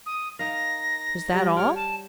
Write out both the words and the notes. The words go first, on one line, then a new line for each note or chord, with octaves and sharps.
"Is that all?"
D#6
D#4 A#4 F5 A#6
F#3 G3 D5
C#5 G5 F6
A5